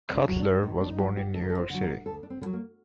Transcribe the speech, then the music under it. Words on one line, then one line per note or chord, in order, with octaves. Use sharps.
Cutler was born in New York City.
C4
D4
F#3
D4
A2 D#4
D4
D#4
F#3 F#4
G4
D2 A4
A#4
A4
C5
D3 F#3
A#4
D2 A4
D4
C4
D3
F#3
A#3